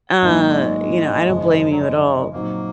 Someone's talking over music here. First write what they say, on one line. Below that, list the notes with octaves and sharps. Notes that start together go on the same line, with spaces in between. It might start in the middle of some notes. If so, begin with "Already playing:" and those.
uh you know, I don't blame you at all.
G#1 G#2 F#3 A#3 D#4
G#3
G#1 F#2 C#3 F3
F#3
G#3
A#2 F#3 A#3 C4 D#4